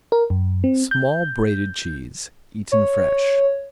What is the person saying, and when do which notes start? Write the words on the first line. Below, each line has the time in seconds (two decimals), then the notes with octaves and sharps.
Small, braided cheese, eaten fresh.
0.12 A#4
0.30 F#2
0.64 C4
0.91 G6
2.72 C#5